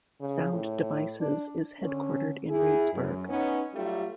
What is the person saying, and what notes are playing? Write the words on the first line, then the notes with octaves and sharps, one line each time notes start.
Sound Devices is headquartered in Reedsburg.
C#3
A2
D4
D3 C#4
E4 G#4
F#2
B3 C#4 D#4
F#3 G3 A3 F4 G4